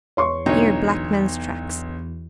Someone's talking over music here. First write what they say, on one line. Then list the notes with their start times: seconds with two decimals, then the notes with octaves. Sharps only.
Here black man's tracks.
0.17 E2 C#5 C6 C#6
0.46 B1 D3 D#4 C#5